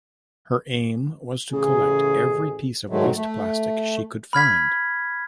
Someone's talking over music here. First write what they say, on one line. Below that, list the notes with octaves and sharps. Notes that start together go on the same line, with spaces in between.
Her aim was to collect every piece of waste plastic she could find.
A1 C#3 G#4
G#2 D#3 F#3 G#3 A3
A3
B5 F6 G#6 B6